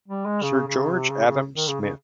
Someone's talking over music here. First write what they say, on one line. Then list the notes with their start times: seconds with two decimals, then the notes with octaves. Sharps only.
Sir George Adam Smith.
0.08 G3
0.26 G#3
0.42 C#3
0.67 C#3
0.93 C3
1.10 C#3
1.27 C#3
1.56 D#3
1.68 C#3
1.81 C#3